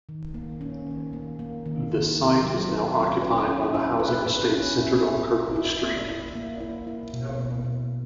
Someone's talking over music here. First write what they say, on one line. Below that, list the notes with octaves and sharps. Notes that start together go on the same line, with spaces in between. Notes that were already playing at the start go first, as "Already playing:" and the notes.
The site is now occupied by the housing estate centred on Kirklees Street.
D#3
A#3
C#4
D#3
A#3
A#3
D#3
D#3
E4
F#3
B4
C#4
B4
C#4
E4
B4
B4
C#4
E4
E4
E4
E4
E4
E4
A#3
E4
E4
B2
B2
B2